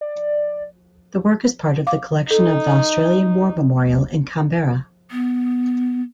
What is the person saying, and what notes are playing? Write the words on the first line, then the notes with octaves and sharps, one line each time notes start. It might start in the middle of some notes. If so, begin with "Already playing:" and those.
The work is part of the collection of the Australian War Memorial in Canberra.
D5
F5 D6
D#4 A4
B3